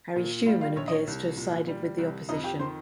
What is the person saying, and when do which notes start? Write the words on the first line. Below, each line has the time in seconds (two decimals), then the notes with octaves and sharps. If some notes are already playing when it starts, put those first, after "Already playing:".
Harry Shewman appears to have sided with the opposition.
0.16 A#2
0.46 G3 F4 F5
0.61 F4 F5
0.76 A#1 C#5
0.88 D#5
0.92 C#5
1.07 C2
1.37 A#2
1.68 G3
1.98 C2
2.29 F2 D#4 D#5
2.44 G4 G5
2.59 D#3 C5 C6